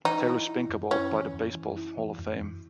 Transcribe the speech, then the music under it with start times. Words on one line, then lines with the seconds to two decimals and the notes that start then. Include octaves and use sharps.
Taylor Spink Award by the Baseball Hall of Fame.
0.05 E3 D#4
0.26 E4
0.48 E4
0.69 F#2
0.90 C#4 E4
1.12 E3
1.33 F#2
1.54 E3
1.77 E4
1.97 E3
2.18 F#2
2.41 F#2